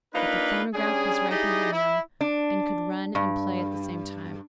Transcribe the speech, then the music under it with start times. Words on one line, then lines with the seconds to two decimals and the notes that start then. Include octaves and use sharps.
But the phonograph was right behind them and could run and play at the same time.
0.14 A#3 D4 D#4 F4 B4
0.74 G3 C#4 D4 G#4
1.30 D#4 E4 G4 G#4 D5 D#5
1.73 E4
2.21 D4
3.15 G2